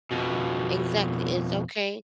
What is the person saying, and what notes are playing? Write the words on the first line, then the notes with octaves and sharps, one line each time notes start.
Exactly, it's okay.
F2 B2